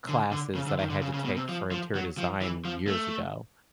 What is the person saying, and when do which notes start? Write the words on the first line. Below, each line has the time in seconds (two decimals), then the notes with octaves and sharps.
classes that I had to take for interior design years ago,
0.09 D3
0.32 D3
0.55 C#3
0.67 D3
0.79 D#3
0.90 D3
1.02 C#3
1.14 C#3
1.25 B2
1.37 C3
1.49 F3
1.71 F3
1.95 F#3
2.18 F3
2.42 E3
2.65 F3
2.88 A3